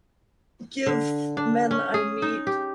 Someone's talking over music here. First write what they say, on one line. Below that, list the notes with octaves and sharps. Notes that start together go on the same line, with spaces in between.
give men I meet
D3
D4
C#4
G#4
D#4
G4